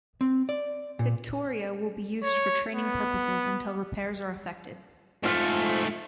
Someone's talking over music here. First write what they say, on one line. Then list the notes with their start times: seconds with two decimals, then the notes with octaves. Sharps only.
"Victoria" will be used for training purposes until repairs are effected.
0.21 C4
0.49 D5
0.99 A#2
2.23 C#5
2.73 B3
5.24 F2 G#2 A3 C5 F5